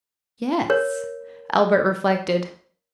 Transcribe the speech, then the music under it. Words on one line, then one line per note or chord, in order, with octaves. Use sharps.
"Yes."--Albert reflected.
A#4 C#5